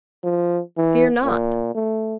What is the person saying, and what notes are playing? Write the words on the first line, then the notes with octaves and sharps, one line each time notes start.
"Fear not!"
F3
E3
A#2
A3